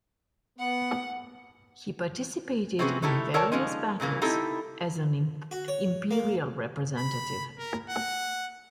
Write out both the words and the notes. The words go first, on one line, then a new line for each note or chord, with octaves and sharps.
He participated in various battles as an imperial representative.
B3 F#5
C3 C4 C#4 F#4 G#4 B4
A3 C#4 D#4 E4 G4 A4
A4 A#4 C#5 D5 G5 A5
F3 G#3 C#4 D#4
A#2 C#3 E3 A#3
C4 D#4 E4 G4 A4
F#4
C#5
A#3
B5
A#4
F#5